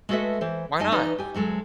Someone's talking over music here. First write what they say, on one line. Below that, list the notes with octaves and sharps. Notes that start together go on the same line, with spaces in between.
Why not?
G#3 A3 F#4 A4 B4 E5
E3 C5
F#2 G3 D#4 D#5 G#5 A5
E3 D#4 B4 D5
G4 G#5
D2 F#3 G#3 A4